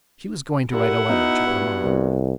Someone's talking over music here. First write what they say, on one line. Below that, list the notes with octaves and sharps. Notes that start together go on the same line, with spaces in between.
She was going to write a letter to her mamma.
A#2 E4 G4 A#4 F#5
B3 D#4 F#4
G2
C2